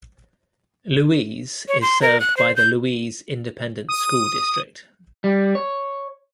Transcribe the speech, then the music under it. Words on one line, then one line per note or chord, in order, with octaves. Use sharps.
Louise is served by the Louise Independent School District.
C#5
C6
A#4
F#6
C5
G6
D#6
G3
C#5